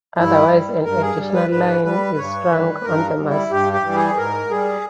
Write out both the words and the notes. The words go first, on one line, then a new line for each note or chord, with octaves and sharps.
Otherwise an additional line is strung on the masts.
G2 E4
G3
G2 A#4
G#4
G3
B4
G#2 B4
G3 B4
G2 C#5
D#3 G3 B4
G2 A#4
G3
E4
G2 G4
G4
E3 G3
G#4
G#2 A#4
G3 G#4